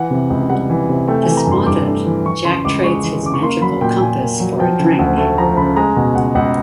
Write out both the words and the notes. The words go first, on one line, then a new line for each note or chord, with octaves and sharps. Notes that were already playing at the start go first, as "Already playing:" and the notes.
Despondent, Jack trades his magical compass for a drink.
Already playing: E3 F#5
C3
C#2
G3 F#5
E3
C3
A3 G5
E3 G#5
A#5
G2 C6
G2 D6
A3
E3
E3 C#6
C#3 C6
C#2 D6
G#3 C#6
E3
C#3 D6
C#6
A#3 C6
F#3 B5
A#2 G5
A#2 G#5
A#3
F#3
F3 G5
C#3
D2
A3 A5
F3 A#5
C#3 B5
G#3 A#5
B2
C#2 F#5
C#2 F#5